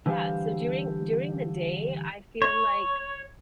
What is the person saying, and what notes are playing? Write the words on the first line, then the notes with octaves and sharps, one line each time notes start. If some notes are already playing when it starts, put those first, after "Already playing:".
yeah, so during during the day, I feel like,
D3 E3 G3 G4 C5 F5
C#5